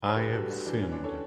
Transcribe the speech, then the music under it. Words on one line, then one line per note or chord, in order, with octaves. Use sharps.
I have sinned.
C#5
D2 G4 B4
F#4 A4
G3
D4 F#4
E3 D4
C#4
D2 D4
A4 C#5